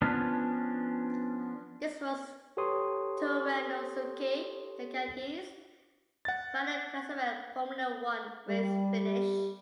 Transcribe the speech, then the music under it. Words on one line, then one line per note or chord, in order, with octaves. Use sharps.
This was Toranosuke Takagi's final classified Formula One race finish.
F3 B3 C#4 D4
G4 A4 B4 C#5 C6 D#6
F#5 A6
G3